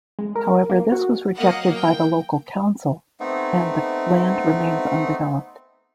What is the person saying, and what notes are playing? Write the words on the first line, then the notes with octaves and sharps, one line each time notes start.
However this was rejected by the local council and the land remains undeveloped.
G#3
A#4
A#3
F#4
F#3 A#3 D#5 F5 F#5
G5
A3 B3 C4 D#4